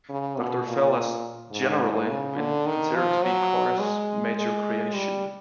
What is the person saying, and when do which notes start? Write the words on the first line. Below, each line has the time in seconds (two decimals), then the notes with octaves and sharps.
Doctor Fell has generally been considered to be Carr's major creation.
0.09 C#3
0.38 B2
0.67 A#2
1.52 G#2
2.09 C#3
2.38 D3
2.66 D#3
2.95 F3
3.23 F#3
3.80 G#3
4.37 G#3
4.94 G3